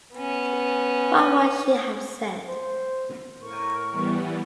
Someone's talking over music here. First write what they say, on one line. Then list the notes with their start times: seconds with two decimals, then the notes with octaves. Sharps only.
What would she have said?
0.14 B3 C#4
2.48 C5
3.41 A2 A#4 C#6
3.90 E3 G3 B3